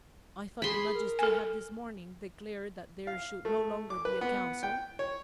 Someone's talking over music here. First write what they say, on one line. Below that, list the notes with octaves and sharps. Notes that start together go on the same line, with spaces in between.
"I thought your majesty had this morning declared that there should no longer be a council?"
G#4 B5 C6
A#4
A4 G#5
F5
A3
D6
B4
B3
G5
C#5